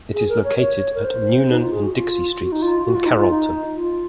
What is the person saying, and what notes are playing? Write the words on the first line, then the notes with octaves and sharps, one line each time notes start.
It is located at Newnan and Dixie Streets in Carrollton.
G#4
A#4
C#5
C#5
A#4
C5
D#4
F4
G#4
F#4
F4
F#4
D#4
F4
F#4
F4
D#4
F4
D#4
F4